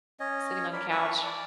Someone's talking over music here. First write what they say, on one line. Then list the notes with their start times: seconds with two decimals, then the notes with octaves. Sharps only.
sitting on the couch,
0.20 C#4 C#5 D#5
0.73 A#4 D5 B5
0.91 F5 A5 B5 C#6
1.24 D5